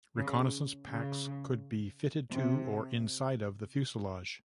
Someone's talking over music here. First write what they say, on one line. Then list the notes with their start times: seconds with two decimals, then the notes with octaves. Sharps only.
Reconnaissance packs could be fitted to, or inside of, the fuselage.
0.16 C#3
0.88 C#3
2.30 C3